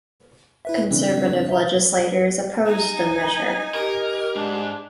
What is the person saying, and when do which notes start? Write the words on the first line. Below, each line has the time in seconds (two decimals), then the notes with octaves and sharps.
Conservative legislators opposed the measure.
0.65 E4 B4 E5
0.91 C#3 E3 C4 D4
1.49 E5 A#5
2.66 D#4 G#5 A#5
3.28 D#5
3.74 G4 A#4
4.36 G#2 D4